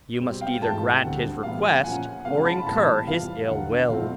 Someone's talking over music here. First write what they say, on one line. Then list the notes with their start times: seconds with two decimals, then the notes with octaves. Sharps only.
You must either grant his request or incur his ill will.
0.21 B2 G3 C4
0.41 F5 G5
0.61 G#2 E3 A3 G5 A5
1.02 D2 D3 G3 C4 F#5
1.43 A2 E3 G3 B3 F5
1.64 F#5
1.84 A#2 F3 A#3 C#4 F#5 G#5
2.05 F#5
2.25 C3 E3 G#3 C#4 F5
2.45 A5 B5
2.66 A2 E3 G3 B3 A5 B5
3.07 F2 C3 E3 G3 F5
3.48 D#2 D3 F#3 F#5
3.89 C2 A#2 F3 A3 C4 F5